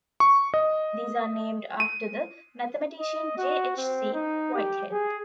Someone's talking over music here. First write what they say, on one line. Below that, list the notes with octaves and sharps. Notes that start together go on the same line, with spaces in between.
These are named after the mathematician J. H. C. Whitehead.
C#6
D#5
D#7
D#5
F#4
C4
D#4
G4
G#4